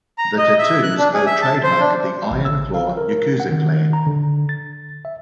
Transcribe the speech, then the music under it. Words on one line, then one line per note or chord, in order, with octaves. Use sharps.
The tattoos are the trademark of the Iron Claw Yakuza clan.
A#5
D#5
E5
F#6
D4
G#4
E5
A5
C5
D4
A1
E6
F5
A#4
F#5
D#3
A#5
D3
A6
E5